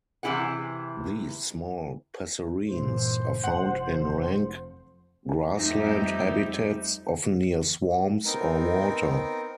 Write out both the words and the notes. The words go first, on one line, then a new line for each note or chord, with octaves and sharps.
These small passerines are found in rank grassland habitats, often near swamps or water.
C3 E3 E4 G#4 F#5
G2 A#2 E3 C5
F1 F2 F3 F#5
F2 G3 A3 D#4 G4 E5
B3 C4 D#4 A#4